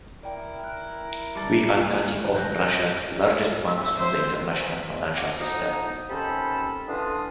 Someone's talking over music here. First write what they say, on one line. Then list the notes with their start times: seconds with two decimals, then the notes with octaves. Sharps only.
We are cutting off Russia’s largest banks from the international financial system.
0.23 E4 A#4 D5 G5
0.64 F#6
1.35 G3 A5
2.34 F#6 G6 A#6
3.67 E5
3.98 C5
4.59 E3 F#4 A#4 C5
4.77 E2 B6
5.15 F#4 F5 D6
5.37 D2 F3 B3 D#4
6.09 D#2 C3 C#4 A4 C5 B5
6.88 D3 E3 D4 F4 D#6